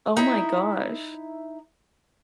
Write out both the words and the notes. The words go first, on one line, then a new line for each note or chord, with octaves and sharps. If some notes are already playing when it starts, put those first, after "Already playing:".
Oh my gosh.
D#4 E4 E5